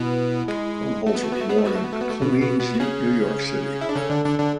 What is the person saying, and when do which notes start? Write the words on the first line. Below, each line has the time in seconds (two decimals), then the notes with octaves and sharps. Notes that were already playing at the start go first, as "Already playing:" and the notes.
Krumholtz was born in Queens, New York City.
Already playing: B2 B3 E4
0.48 G#3
1.06 A3 F#4
1.15 B3
1.20 A3 F#4
1.32 B3 F#4
1.40 A3
1.49 B3 G#4
1.57 A3
1.64 B3 F#4
1.75 A3
1.83 B3
1.92 A3
2.01 B3
2.09 A3
2.22 B2 B3
2.41 B2 B3
2.60 B2 B3
2.73 F#4
2.80 C#3 C#4 G#4
3.81 E4
3.89 D4
3.95 C#3 C#4 A4
4.10 D3 D4
4.25 D3 D4
4.39 D3 D4